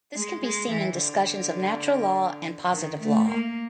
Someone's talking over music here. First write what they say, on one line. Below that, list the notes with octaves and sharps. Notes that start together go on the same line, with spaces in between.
This can be seen in discussions of natural law and positive law.
G#3
G#3
E3
D3
D#3
A3
A#3